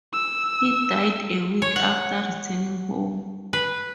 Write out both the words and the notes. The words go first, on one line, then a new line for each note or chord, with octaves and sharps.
He died a week after returning home.
E6
C#5
F#5
B4